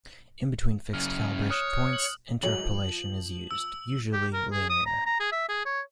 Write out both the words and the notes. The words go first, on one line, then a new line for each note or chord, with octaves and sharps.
In between fixed calibration points, interpolation is used, usually linear.
F#2 C#3 F6
C#5 D#6 F6 F#6
F#7
D2 G#2 F#3 F#7
F3
E6
G4
A#4
G#4
D#6
A#5
A#5
G#4
E5
G#4
C#5